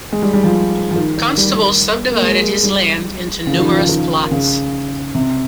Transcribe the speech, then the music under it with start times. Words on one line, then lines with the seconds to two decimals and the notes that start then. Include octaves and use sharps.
Constable subdivided his land into numerous plots.
0.12 G#3
0.22 G3
0.33 G3
0.44 F3
0.91 F3
0.96 D#3
1.17 D#3
1.37 G3
2.11 A#3
2.22 G#3
2.63 G3
3.47 C#3
3.53 F3
3.58 D#3
3.68 F3
3.79 D#3
3.89 D#3
4.31 C#3
5.15 C3